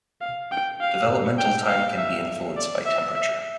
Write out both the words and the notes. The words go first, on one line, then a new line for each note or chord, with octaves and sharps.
Developmental time can be influenced by temperature.
F5
G5
F5
G5
F5
E5
D5
E5
E5